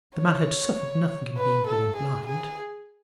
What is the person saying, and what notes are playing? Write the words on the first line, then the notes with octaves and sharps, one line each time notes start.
The man had suffered nothing in being born blind.
C#5
B4
A4
G#4
G#4